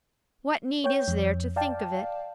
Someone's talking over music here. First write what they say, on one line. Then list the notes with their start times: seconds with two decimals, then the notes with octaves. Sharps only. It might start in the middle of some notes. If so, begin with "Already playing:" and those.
What need is there to think of it?
0.84 C#5 G5 G6
1.08 F2
1.56 D5 F5 G5 A5